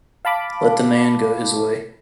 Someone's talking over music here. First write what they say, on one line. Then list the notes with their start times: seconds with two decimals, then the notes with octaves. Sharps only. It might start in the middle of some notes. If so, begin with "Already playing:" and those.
Let the man go his way'.
0.25 F5 A5 B5 D6